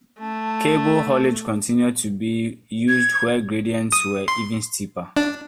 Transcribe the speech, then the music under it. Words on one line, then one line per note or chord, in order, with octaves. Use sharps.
Cable haulage continued to be used where gradients were even steeper.
A3 A5
G#6
D#6
C6
D4